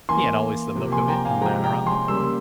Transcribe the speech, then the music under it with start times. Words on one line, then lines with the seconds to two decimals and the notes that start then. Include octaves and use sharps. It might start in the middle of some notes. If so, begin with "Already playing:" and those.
'He had always the look of it, and the manner of it.'
0.09 E3 A#3 G#5 C6
0.75 C3 F3 A#3
0.92 G#5 C6
1.08 G5 A#5
1.25 F5 G#5
1.42 C3 F3 G#3 G5 A#5
1.64 G5 A#5
1.86 G#5 C6
2.08 C#3 G3 A#3 C6 E6